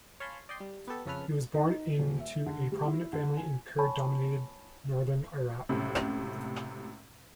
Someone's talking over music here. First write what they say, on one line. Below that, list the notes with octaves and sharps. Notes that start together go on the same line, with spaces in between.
He was born into a prominent family in Kurd-dominated northern Iraq.
C#5 F5 G#5 A5 B5 C6
D5 D#5 G5 C6
G3
B3 G4 A4
F2 C#3 C#4 A4 B4 F6
D#4
D#1
E5
D3
G3
E4
D3
G#5
C#5 G#5 A5 B5 C#6
C#2 F#2 A2 C3